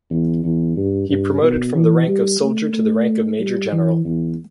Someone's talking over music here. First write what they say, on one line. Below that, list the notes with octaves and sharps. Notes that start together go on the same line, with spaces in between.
He promoted from the rank of soldier to the rank of major general.
E2
E2
G2
G2
B2
E3
G3
A3
A3
G3
E3
E2